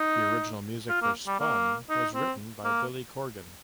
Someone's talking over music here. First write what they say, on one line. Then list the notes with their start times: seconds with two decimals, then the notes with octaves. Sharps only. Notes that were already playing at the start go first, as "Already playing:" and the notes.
The original music for "Spun" was written by Billy Corgan.
Already playing: D#4
0.89 F4
1.02 A#3
1.27 G3
1.40 A#3
1.90 D#4
2.15 C4
2.65 A#3